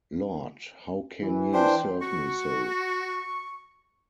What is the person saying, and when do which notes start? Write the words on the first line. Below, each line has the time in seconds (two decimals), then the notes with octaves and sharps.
Lord how can ye serve me so!
1.21 E3
1.53 D4 C5 G5
2.02 F#4 C#6